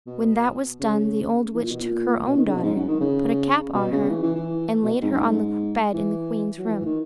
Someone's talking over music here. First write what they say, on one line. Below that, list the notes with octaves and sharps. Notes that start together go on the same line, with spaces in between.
When that was done the old witch took her own daughter, put a cap on her, and laid her on the bed in the queen's room.
B2
C#3
E3
A#2
B2
A#2
B2
D#3
C#3
B2
G#2
F#2
D#3
C#3
B2
C#3
E3
E3
E3
B2
G#2
F#2
G#2
E3
F#3
E3
D#3